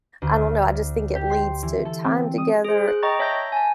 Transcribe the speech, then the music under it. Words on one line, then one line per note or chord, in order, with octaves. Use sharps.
I don't know, I just think it leads to time together
D2
G4
C6
E3
A4
C4
D#6
G#4 C5
F#6
D#5 G5 A#5 C#6 A6
C#5 E5 A5 G6 A#6
G#5 A5